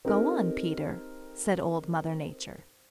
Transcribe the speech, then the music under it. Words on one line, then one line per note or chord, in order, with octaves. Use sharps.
"Go on, Peter," said Old Mother Nature.
C4 D#4 G4 A4 A#4